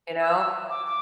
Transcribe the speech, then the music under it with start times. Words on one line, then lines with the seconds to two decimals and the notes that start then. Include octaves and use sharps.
You know?
0.22 E6
0.37 E6
0.70 D6
0.86 D6